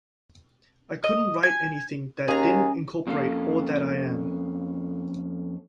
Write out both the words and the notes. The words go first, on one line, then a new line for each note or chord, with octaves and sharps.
I couldn't write anything that didn't incorporate all that I am.
D#5
G#5
D#2 C#4 G#4 A#5
F2 A#3 C#4 A4 F5